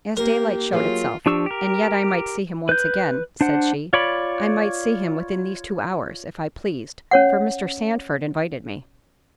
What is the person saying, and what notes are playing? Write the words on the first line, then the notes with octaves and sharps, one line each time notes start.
As daylight showed itself--"And yet I might see him once again," said she--"I might see him within these two hours, if I pleased, for Mr. Sandford invited me."
A#3 G4 A#4
F#3 A#3 F4 G#4
F3 D4 G4 C#6 E6
G4 A#4
B4 G6
D4 C5 F#5
F4 C#5 D5 B5
C#4 C#5 F#5